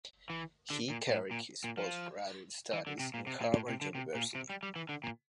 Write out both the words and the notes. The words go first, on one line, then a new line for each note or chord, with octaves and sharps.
He carried his post-graduate studies in Harvard University.
E3
D3
A#2
A2
A#2
A#2
F3
E3
D3
C3
A#2
C3
A#2
A2
C3
D3
C3
A#2
C3
G3
G3
E3
D3
A#2